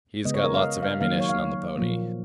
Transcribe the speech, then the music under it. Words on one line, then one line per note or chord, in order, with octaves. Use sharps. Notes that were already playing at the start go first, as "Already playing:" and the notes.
He's got lots of ammunition on the pony.
C#3 G#3 B3 D#5
C#5
A#4
F5
D#5
F5
D#3 F#3 A#3 F5
C#5
F5
C#5
A#2 F3 A#3